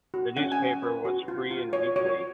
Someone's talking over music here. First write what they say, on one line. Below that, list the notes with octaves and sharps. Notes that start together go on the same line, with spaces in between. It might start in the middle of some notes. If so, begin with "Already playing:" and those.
The newspaper was free and weekly.
F#4
C#4 F#5
G#5
C#4
B4
F#4
F4
F4
C#5
F#4 C#5